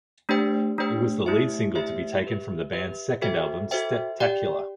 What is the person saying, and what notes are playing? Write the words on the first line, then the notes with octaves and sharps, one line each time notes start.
It was the lead single to be taken from the band's second album "Steptacular".
A3 D4 G4 C5 G5
A3 D4 G4 C5 G5
A3 E4 G4 C5 E5
A3 E4 G4 C5 E5
G4 B4 E5
G4 B4 E5
F#4 A4 C5 E5 G5
F#4 A4 C5 E5 G5
G4 D5 G5